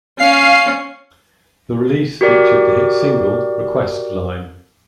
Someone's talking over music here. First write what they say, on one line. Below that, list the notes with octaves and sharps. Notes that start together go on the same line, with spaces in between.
The release featured the hit single Request Line.
C#4 F5 C7
F#4 G4 A#4 D5